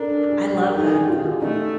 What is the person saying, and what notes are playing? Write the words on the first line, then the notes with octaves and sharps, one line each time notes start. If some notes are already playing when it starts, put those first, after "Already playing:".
I love that though,
Already playing: D4 A4 A#4
G#4
G4
A#4
D#4 A4
G#4
G4
F4
F#4
A3 D#4